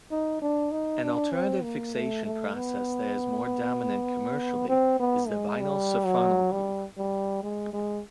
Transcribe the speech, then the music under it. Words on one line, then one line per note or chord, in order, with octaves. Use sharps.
An alternative fixation process that is more dominant commercially is the vinylsulfonyl group.
D#4
D4
D#4
D4
C4
A#3
A3
A3
B3
C4
B3
G#3
G3
F#3
G3
G3
G#3
G#3